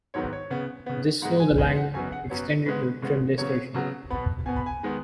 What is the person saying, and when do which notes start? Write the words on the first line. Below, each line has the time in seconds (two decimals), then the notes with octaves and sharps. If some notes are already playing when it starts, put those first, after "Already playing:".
This saw the line extended to Trimley station.
0.14 G#2 D#3 F#3 B3 C#5
0.33 C#5
0.50 C#3 B3
0.86 C#3 B3
1.22 G#2 G#3 B3 F#5
1.40 G#5
1.58 G#2 G#3 B3 G#5
1.76 F#5
1.94 F#2 F#3 B3 G#5
2.12 F#5
2.30 F#2 F#3 B3 C#5
2.66 C#3 G#3 B3 B4
3.02 C#3 G#3 B3
3.38 C#3 F#3 B3 C#5
3.74 C#3 F#3 B3
4.10 B2 B3 B5
4.46 B2 B3 G#5
4.56 B5
4.66 G#5
4.83 D#3 G#3 B3